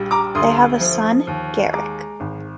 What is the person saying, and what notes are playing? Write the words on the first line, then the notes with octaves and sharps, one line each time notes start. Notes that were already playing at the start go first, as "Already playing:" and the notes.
They have a son Garrick.
Already playing: A#1 G3
A#5 D6
D2 C6 D#6
F3
D#2
G#3 A#5 D6
G#1